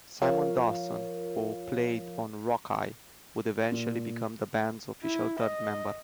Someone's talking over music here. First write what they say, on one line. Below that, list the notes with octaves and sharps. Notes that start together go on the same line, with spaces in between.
Simon Dawson, who played on "Rockeye", would eventually become the band's official third member.
F3 F4 A#4 C#5 F5
A#2
E4
D#5